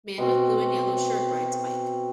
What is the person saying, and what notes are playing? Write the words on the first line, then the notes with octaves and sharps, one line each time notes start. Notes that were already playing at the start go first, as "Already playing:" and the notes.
Man with blue and yellow shirt rides bike.
B2 C4 F#4